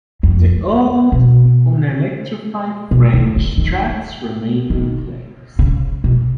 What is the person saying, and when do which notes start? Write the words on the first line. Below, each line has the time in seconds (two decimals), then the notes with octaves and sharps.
The old, unelectrified, French tracks remain in place.
0.23 F2
1.12 B2
2.91 B2
3.13 D#3
3.36 C#3
3.58 D#3
4.70 D#3
5.59 C#3
6.04 B2